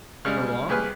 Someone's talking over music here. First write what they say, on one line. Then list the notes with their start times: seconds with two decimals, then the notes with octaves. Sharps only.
"For long?"
0.25 C#3 G3 G#3
0.69 C2 G4 G#4 B4 F6